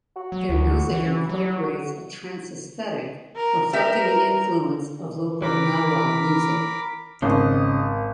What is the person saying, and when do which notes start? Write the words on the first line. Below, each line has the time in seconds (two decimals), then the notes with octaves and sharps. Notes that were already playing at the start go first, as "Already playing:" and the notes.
Their music incorporates a trance aesthetic, reflecting the influence of local Gnawa music.
0.16 F#4
0.32 F#3
0.49 D2
0.90 E3
1.29 F#3
1.63 F#4
3.36 A#4
3.73 G4 A#4 B4 E5
5.42 E3 A#4 B5 D6
7.22 G#1 C#3 D#5